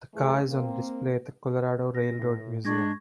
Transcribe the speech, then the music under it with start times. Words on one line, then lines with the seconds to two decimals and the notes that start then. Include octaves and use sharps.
The car is on display at the Colorado Railroad Museum.
0.13 F2 E3 A3 G#4
0.49 A#3 C4
1.95 A#6
2.19 A2
2.65 G#3 D4 C#6 G#6 A#6